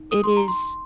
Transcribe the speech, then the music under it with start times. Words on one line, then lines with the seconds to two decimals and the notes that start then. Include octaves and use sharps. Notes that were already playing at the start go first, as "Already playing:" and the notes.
It is
Already playing: D#4
0.11 D#6
0.24 C6
0.37 A#5
0.48 C6